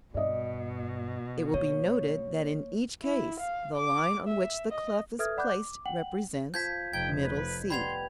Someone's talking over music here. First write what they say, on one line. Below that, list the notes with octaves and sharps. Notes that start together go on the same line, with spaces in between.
It will be noted that in each case the line on which the clef is placed represents "middle C."
G2 B2 D5 D#5
A#3 C#5
E4
F5
D6
E5
D#5
A4 B4 E5 D#6 F6 G#6
D5 F#5 B5 D6 F#6 G6
D6
F#5 G5 F#7
F3 A5 G6 G#6 B6
F1 D#4 G5 G#6
B4
G3 B3 B5 C6 G#6 F7